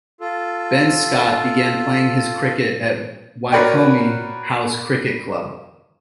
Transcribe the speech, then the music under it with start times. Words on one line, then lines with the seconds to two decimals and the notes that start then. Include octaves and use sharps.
Ben Scott began playing his cricket at Wycombe House Cricket Club.
0.20 F4 A4
3.52 F#4 A#4 B4 C#5 D5 G5